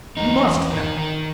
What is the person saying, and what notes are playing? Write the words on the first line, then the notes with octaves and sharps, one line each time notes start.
You must, now!
E2 D#4
E2
D#3
D#3